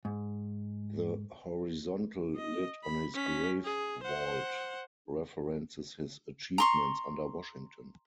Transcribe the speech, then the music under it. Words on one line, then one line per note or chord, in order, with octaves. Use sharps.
The horizontal lid on his grave vault references his achievements under Washington.
G#2
D#5
B5
C#4 B6
G#4
C5 F#5
A#5 C6 C#6